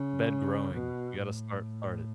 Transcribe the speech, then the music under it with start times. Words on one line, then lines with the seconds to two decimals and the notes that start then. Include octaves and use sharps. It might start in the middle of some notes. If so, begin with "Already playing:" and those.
Bed growing. We gotta start start it.
Already playing: C#3
0.73 B2
1.20 A2